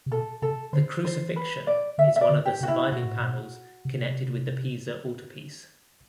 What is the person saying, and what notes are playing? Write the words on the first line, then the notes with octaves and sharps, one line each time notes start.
The "Crucifixion" is one of the surviving panels connected with the Pisa Altarpiece.
C3
B2 A4
C3 A4
D3 C5
E3 C5
B4
D5
D3 E5
E5
D5
D3
G4
C3 F#4
E4
B2 F#4
A2
B2
C3